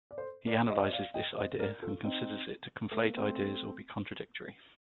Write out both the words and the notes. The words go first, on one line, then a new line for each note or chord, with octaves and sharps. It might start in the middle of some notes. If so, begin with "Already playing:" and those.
He analyzes this idea and considers it to conflate ideas or be contradictory.
D5
A4 C5
A#4 D5
D#5
D5
C5 D#5
D5 F5
D#5 G5
C5 D#5
A#4 D5
F4 A4
C4 D#4
A3
A#3
A3 C4